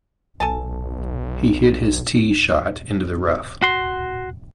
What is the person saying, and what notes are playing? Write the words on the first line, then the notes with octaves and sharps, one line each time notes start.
He hit his tee shot into the rough.
B1 A4 G#5 A5
F#4 C6